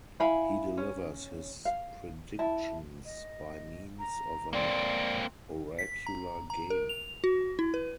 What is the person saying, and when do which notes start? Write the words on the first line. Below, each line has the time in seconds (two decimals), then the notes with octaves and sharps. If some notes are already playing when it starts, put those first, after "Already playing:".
He delivers his predictions by means of an oracular game.
0.20 E4 F5 G#5 B5
0.77 C#4
1.65 F5
2.39 E4 A5
3.05 D#5
3.99 A#5
4.53 A#3 C4 D5
5.79 B6
6.07 A#5
6.50 A#5
6.70 A#4
6.89 F7
7.24 F#4
7.59 E4
7.74 B4